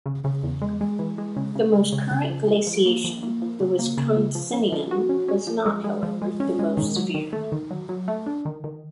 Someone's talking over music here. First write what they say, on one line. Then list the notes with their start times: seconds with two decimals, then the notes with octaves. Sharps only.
The most current glaciation, the Wisconsinian was not, however, the most severe.
0.06 C#3
0.24 C#3
0.43 E2
0.62 G#3
0.81 G#3
0.99 E3
1.18 G#3
1.36 C#3
1.55 C#3
1.73 G#3
1.93 C#3
2.11 C#3
2.30 F3
2.48 F3
2.67 F3
2.86 A#3
3.04 F3
3.23 A#3
3.42 F3
3.60 C#3
3.79 A#3
3.97 C#3
4.16 F3
4.35 F3
4.53 C#4
4.72 F3
4.91 F#4
5.09 C#4
5.28 C#4
5.47 F3
5.66 G#3
5.84 G#3
6.03 F3
6.22 G#3
6.40 C#4
6.59 G#3
6.77 D#3
6.96 F#3
7.15 D#3
7.33 A3
7.52 D#3
7.71 F#3
7.89 F#3
8.08 A3
8.26 D4
8.45 D#3
8.64 D#3